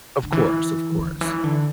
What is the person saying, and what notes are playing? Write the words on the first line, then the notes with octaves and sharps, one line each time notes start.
Of course, of course.
D3
E3
D3
E3
D3